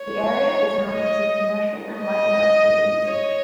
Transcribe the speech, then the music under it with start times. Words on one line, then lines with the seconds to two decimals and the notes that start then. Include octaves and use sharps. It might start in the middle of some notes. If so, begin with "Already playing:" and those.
The area is now a mix of commercial and light industrial usage.
Already playing: C#5
0.93 D#5
1.99 D#5
3.06 C#5